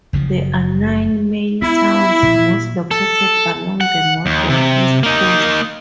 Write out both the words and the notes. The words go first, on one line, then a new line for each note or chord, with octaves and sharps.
There are nine main towns, most located along the north and east coasts.
F#1 C#3 F3
B3 E4
A#2 F3
A4
F#5
D#2
C3
A#3 D#4